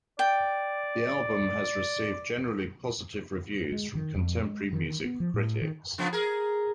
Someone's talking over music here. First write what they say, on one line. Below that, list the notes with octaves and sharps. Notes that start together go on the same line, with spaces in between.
The album has received generally positive reviews from contemporary music critics.
D5 G5
G#3
D#3
F2
G#3
D#3
B3
F3
A2
D#3
C#3 F3 B3
G#4 A#4